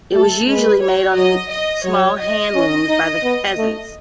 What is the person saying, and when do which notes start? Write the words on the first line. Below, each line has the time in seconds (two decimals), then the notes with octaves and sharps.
It was usually made on small hand-looms by the peasants.
0.13 A3 A4
0.47 G#3 B4
0.82 C#5
1.16 F#3 D#5
1.51 D#5
1.85 F#3 C#5
2.20 D#5
2.55 C#4
2.89 D#4
3.23 B3
3.58 A3